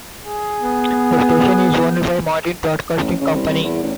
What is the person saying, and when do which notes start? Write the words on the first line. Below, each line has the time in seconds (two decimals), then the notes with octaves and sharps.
The station is owned by Martin Broadcasting Company.
0.25 G#4
0.62 B3
2.98 A1
3.21 C#3
3.34 C2
3.48 C2
3.63 E2
3.83 A1